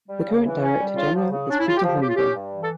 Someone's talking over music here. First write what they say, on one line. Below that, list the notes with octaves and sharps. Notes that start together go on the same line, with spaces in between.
The current Director General is Peter Holmgren.
G3
C#3
E3
C#4
G3
C#3 F4
F3
C#3
C#4 D4
E4
C#3 F4
G4
F3
G4
C#3 G4
F4
C#4 G4
G2
E3
A4